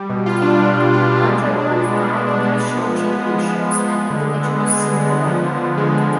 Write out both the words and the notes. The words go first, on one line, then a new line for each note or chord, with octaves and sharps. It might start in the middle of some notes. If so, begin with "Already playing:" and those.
Andrei won five national championships at individual senior level.
Already playing: G3
B2
F4
D4
G3
B2
F4
D4
G#3
B2
D4
B3
G#3
B2
D4
B3
G#3
F3
F3
B3
G#3
F3
F3
B3
G#3
D3
D3
B3
G#3
D3
D3
B3
F3
D3
D3
G#3
F3